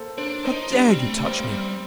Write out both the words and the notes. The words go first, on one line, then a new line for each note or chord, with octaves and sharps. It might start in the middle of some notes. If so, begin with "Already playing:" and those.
How dare you touch me?
Already playing: A#3 A4 C5
D4 C5
D#4 C5
G3 D4
C4
G3
A3
A#3 C4
A3
G3 C4